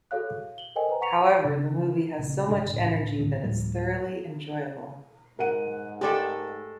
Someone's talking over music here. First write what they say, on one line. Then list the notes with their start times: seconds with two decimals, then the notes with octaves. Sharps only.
However, the movie has so much energy that it's thoroughly enjoyable.
0.11 F#4 G#4 A4 C#5 F5 F#6
0.35 F5
0.58 F#7 G7
0.76 A4 A#4 C5 D#5 G5 G#5
0.89 B4 C5 G#5 A#5
1.01 F#5 A#5 C#6 B6 C#7 F7
1.45 C#3
2.19 A#1 C#3
2.49 G1 C2 C3 D4
2.74 C#2 A2
3.19 G#1 C#2 A2 D3
3.44 D2 A2 F3 G3
5.39 G#2 A#4 F#5 D#7
6.01 G#3 A3 G4 A4 D5